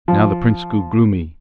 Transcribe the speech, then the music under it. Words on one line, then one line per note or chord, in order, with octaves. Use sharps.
Now the prince grew gloomy.
F3